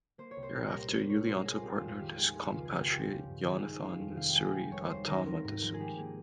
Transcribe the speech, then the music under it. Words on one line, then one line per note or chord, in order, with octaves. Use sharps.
Thereafter Yulianto partnered his compatriot Yonathan Suryatama Dasuki.
A#3 C5
C#5
C2
C5
A#2 G4
A#4
G3
C5
C4 C#5
A#1 C#5
A#2 C5
G#3 G#4 A#4
F4
C4 G4
F4
F2
F4
D#3 G4
G#3 G#4
C#4 G#4
C#2 F4
G#4
C#3 G4
F4
G#3 G4
C#4
G2
D#3 G#4
G#3
C4 F5
F2
C3 F5
G5
G3 G#5
G#3 G5
F1 C#5
D#2 C5
D#3 A#4
C4 A#4
G#2 A#4
F3 A#4
G#4
G#3 G4
A#3 G#4